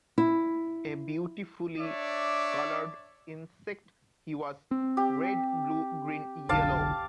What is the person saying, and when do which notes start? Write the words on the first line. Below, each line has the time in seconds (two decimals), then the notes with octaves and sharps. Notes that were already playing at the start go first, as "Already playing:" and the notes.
A beautifully coloured insect he was-red, blue, green, yellow.
0.18 E4
1.78 D4 C#5 D5 E5 D6
4.71 C4
4.97 G4
6.49 F1 B1 D3 F5 A5 D6